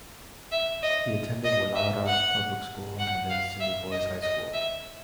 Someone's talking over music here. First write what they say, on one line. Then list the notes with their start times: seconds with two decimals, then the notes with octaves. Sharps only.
He attended Woollahra Public School, and then Sydney Boys High School.
0.51 E5
0.82 D#5
1.45 D#5
1.75 E5
2.06 F#5
2.99 F#5
3.29 F5
3.60 E5
3.91 D#5
4.22 D#5
4.53 E5